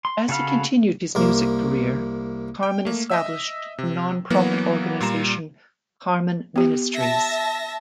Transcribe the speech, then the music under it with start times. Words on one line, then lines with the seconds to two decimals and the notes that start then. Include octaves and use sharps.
As he continued his music career, Carman established the nonprofit organization Carman Ministries.
0.05 C6
0.29 C#3 F#4 A4 F5 B5
1.15 C2 A#3
2.63 G5
2.85 A3 A#3
3.10 D#5 E5 E6
3.78 C3
4.30 E3 F#3 A#3 B3 F#4
5.00 A#2 G3 F4 A#5 E7
6.56 B3 G4
6.97 E5 A5 A#6